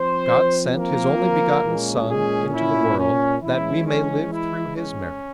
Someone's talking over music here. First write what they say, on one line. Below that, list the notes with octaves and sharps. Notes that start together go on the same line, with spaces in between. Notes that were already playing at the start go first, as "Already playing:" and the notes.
God sent His only-begotten Son into the world that we may live through His merit.
Already playing: F3 C4 C5
A#3 A#4
A#2 G#3 C#4
G#3 G#4
E4
C#4
E3 G#3 C#4 E4
C#4
E4
C#4